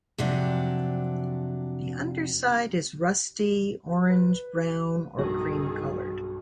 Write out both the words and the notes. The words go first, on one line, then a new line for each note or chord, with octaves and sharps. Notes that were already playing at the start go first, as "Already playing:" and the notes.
The underside is rusty, orange, brown, or cream colored.
F2 C3 F#3 D4
B4
B1 G2 D#3 F#4 G#4 A4